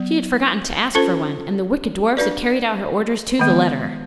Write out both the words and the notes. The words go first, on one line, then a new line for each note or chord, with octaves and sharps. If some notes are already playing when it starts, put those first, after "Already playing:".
She had forgotten to ask for one, and the wicked dwarfs had carried out her orders to the letter!
Already playing: F#3 B3
C#4 F4 A4 C5
D4 F#4 B4 D5
D#3 G#3 B3